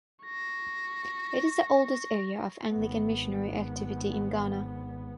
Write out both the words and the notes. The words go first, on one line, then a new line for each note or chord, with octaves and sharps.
It is the oldest area of Anglican missionary activity in Ghana.
C#6 A#6
G#1 B3